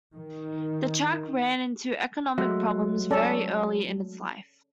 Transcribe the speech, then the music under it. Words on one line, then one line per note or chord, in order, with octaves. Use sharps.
The track ran into economic problems very early in its life.
D#3
F#3 G#3 A3
C#4 A4 D5